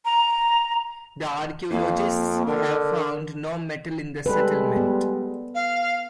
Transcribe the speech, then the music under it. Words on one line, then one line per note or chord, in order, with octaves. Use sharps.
The archaeologists have found no metal in the settlement.
A#5
F2 A#3
D3 A#4
G3 G#3 A4 B4
B3
F5